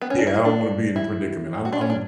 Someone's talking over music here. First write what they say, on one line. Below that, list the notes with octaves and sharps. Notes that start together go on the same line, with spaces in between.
Yeah, I don't wanna be in the predicament. I'm I'm a
B3
C#4
D4
E4
D4
E4
F#4
D4
C#4
D4